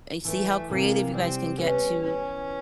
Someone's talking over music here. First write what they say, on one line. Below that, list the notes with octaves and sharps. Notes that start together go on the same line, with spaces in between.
and see how creative you guys can get to,
E3 A3
C3 A#3
G3 C4
B3 C#4
E3 C#4